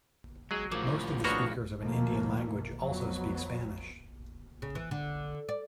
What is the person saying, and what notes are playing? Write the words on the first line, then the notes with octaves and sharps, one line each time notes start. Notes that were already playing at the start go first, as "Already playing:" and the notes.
Most of the speakers of an Indian language also speak Spanish.
F#3 G#3 G#4
A2 F3 A#3
A#3 B3 D4 F#4 C#5
D#2 B2 D#3 F3 A3 A#3
F2 F#3 B3
C#3
E3
D3
D5